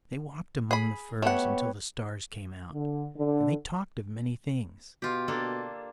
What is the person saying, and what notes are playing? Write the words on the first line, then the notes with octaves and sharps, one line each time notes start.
They walked among the firs until the stars came out, and they talked of many things.
G#4 B5
A3 B3 G4 C#5 F#5
D3
D3
B2 F4 G4
A#3 D4 A4